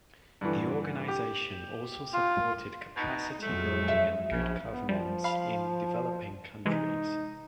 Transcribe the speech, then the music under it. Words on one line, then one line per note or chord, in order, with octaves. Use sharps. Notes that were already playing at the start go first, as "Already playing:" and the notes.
The organisation also supported capacity building and good governance in developing countries.
G2 D3 E3
G4
F4
B2 D#4
F2 F#3 G#3 A3
E5
A#1 C#3
B3
F3 G3
F5 B5
C3 E3 G#3 D#4